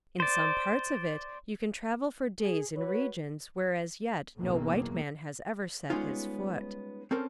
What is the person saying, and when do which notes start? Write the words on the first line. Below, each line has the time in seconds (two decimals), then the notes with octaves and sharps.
In some parts of it you can travel for days in regions where as yet no white man has ever set his foot.
0.20 C5 D5
2.40 G#4
2.76 F#4 B4 C#5
4.39 F#1 B1 E2 A#3
5.90 G3 G#3 B3 C#4 D#4 F4
7.11 C4 C#4 A4 A#4 C5